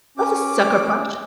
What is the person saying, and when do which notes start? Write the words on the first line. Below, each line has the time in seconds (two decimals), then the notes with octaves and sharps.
That's a sucker punch.
0.18 C#4 D6